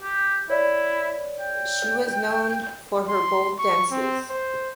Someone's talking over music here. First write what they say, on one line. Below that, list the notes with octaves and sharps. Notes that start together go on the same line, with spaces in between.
She was known for her bold dances.
G4
E4 C#5 D5
G5
C6
C#6
C4
C5